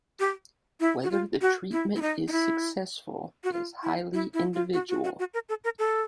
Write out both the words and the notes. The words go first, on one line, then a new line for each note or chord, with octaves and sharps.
Whether the treatment is successful is highly individual.
G4
E4
F#4
F4
F#4
E4
E4
D#4
D#4
E4
F#4
F4
E4
E4
E4
F4
F#4
F#4
F#4
F#4
A#4
A4
A#4
A4